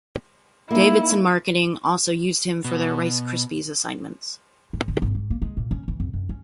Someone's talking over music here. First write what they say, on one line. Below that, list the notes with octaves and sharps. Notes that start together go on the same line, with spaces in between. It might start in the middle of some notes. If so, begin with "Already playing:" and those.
Davidson Marketing also used him for their Rice Krispies assignments.
A#3 D#4 E4
B2
G#2
D3
G#1
G#2
A#3
G#3
A#2
C#4
E3
F2
F#2
C#4